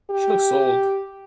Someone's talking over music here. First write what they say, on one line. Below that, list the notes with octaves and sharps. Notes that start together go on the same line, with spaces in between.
She looks old.
G4